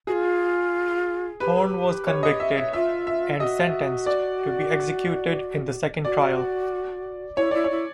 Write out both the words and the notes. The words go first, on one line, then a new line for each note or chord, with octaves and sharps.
Thorne was convicted and sentenced to be executed in the second trial.
F4 F#4 G#4
G4 B4
G#4
G4
C#5
D#5
E5
E5
F4 E5
E5
F#4 G4 D#5
D5
F#4 D5
E4 C#5
E4 D5
C#5
E4